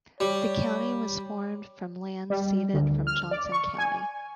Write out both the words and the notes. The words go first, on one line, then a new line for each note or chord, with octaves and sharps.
The county was formed from land ceded from Johnson County.
G3 C#5
G3
D2
F6
D5
C#6
G#5